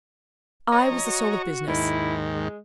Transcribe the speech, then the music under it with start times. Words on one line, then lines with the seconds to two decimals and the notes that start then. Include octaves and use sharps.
I was the soul of business.
0.72 C#5 D#5 A#5
0.91 F2
1.04 F#4
1.67 D#2 G#2 D#3 E4
2.33 G#3